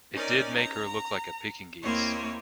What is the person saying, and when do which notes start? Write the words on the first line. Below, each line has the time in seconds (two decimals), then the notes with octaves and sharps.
It did make her look like a Pekingese.
0.15 C#4 D#4 A#4 D5
0.56 A#5
1.83 D#2 A#3 C4 E4 C#5